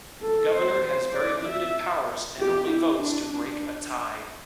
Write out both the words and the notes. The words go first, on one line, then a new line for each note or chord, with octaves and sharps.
Governor has very limited powers and only votes to break a tie.
A4
C5
C5
D5
E5
G4
E4
D4
D4